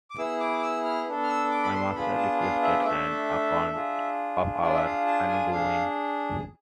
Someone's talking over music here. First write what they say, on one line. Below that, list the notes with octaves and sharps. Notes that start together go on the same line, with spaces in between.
My master requested an account of our ongoings.
D6
B3 E4 G#4 E6
D6
D6
E6
F6
B3 D4 A4
F6
E6
D6
B5
C6
B3 D4 F4 G#4 B5
A5
F5
E5
D5
A3 D4 A4 E5
D4 F4 G#4
D4 F4 G#4 D5
E5
F5
A5
G#5
D4 G#4 F5